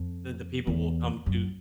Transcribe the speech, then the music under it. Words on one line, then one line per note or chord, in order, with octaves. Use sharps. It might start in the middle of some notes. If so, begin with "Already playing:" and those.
Then the people will come to
Already playing: F2
E2
F#2